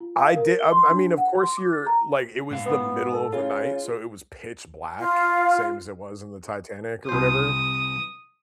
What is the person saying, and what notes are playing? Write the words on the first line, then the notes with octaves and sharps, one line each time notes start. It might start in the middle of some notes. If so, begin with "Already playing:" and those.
I did I I mean, of course, you're like it was the middle of the night, so it was pitch black, same as it was in the Titanic or whatever,
F4
F5
A#4
G7
C6
D4
F#5
C6
D6
A6
A#5
G#2 F5
B3
A4
C#3 F4
F4 F5
C2 C5 D#6